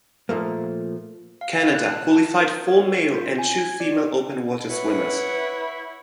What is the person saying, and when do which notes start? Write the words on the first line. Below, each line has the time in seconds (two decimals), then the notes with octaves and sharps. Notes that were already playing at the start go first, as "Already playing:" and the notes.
Canada qualified four male and two female open water swimmers.
0.29 A#2 F3 A3 A#3
1.41 F5
1.60 F5
1.75 F#6
1.88 A5
2.12 A5
2.40 A#4
2.68 C#5
3.15 F4
3.38 G#5
3.58 G#6
3.80 D5
4.70 E4 B4 C#5 F#5